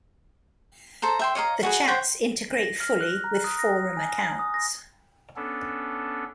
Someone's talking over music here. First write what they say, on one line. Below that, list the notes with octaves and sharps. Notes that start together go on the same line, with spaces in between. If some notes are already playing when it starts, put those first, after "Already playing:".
The chats integrate fully with forum accounts.
A4 C5 A#5
E5 G5 C6
C#5 D#5 F5 A#5
F#4 G#4 B4
C5 C#5 F#5 G5
A#6
F6
F#6
A#5
D#6
A#6
G#5
D#6
A#6
B3 C#4 D4 A4